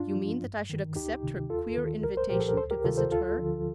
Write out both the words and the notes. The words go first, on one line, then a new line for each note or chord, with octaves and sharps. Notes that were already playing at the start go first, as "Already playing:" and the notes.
"You mean that I should accept her queer invitation to visit her?"
Already playing: G2 D4 F4
F3
G2
D#3
D2 D#4 G4
C3 D#3
D#2 F4 A4
D#3
C2 A#4
C5
A#2 F3 G4 A#4
A4
A#4
D2 A4 C5
G4 A#4
C3 D#3 F4 A4
A4 C5
D2 F4 A4
D3 F3